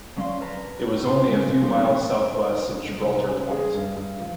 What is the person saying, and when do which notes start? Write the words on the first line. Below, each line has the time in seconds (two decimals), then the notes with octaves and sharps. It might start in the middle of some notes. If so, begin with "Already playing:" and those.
It was only a few miles south-west of Gibraltar Point.
0.16 F2 F#3 C#4 D5 F5 C6
0.41 A#4 B4 A5 A#5
1.06 C6
1.27 F2 G#2 C#3 G3 G#3
1.61 E2 F3 G3 D#4 C6
3.04 C2
3.29 C#4
3.51 G#4
3.74 G2
3.96 G2
4.20 F3